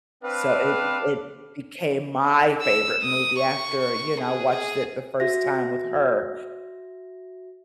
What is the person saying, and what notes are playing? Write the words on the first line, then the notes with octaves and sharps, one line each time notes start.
So, it it became my favorite movie after, you know, I watched it the first time with her.
C4 D4 B4 F5
E6
D#6
C#6
G#4
G#4
F#4 E5 A#6